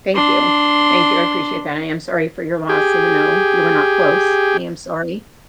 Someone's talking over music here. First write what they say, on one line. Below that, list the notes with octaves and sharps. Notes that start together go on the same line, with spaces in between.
Thank you. Thank you. I appreciate that. I am sorry for your loss even though you were not close. I am sorry.
D4 C6
G4 G#4